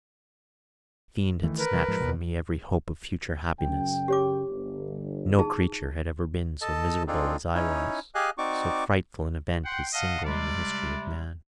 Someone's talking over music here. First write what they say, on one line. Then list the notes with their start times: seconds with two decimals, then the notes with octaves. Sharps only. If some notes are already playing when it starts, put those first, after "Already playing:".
A fiend had snatched from me every hope of future happiness; no creature had ever been so miserable as I was; so frightful an event is single in the history of man.
1.43 D#3 E3 A3
1.59 A#4 B4
1.73 C3 E3 G3
1.88 G#2 F3 G#3
2.00 D#2 B2
3.60 F#2 C#3 G5
4.08 G4 C#5 D6
4.48 G1
5.39 D#4 G#4 A5
6.62 A4 D#5 A5
7.07 C4 D4 D#4 F4 G#4 A4
7.54 C#4 D#4 E4 C#5
8.15 G4 G#4 D#5 F5 G#5 F#6
8.38 C4 D#4 F#4 D5 C#6 D6
9.64 F#5 G5 C6
9.93 D#5 F5 F#5 A5
10.25 C3 G3 G#3 D5